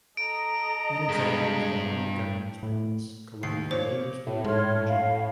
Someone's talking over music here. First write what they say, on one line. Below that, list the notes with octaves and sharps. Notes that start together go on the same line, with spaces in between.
An example is behind the Governor's Palace, Colonial Williamsburg, Virginia.
A4 D#5 A#5 D7
G2 G#3
A2
D#2 C7
A#2 F3 C5 C#5
A2
G#2 C#5 C6 F6
F5